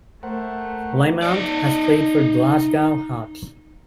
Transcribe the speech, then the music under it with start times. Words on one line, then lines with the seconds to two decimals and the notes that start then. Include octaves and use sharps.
Lamont has played for Glasgow Hawks.
0.23 A3 A#4 C5 F#5
1.22 D#4 D5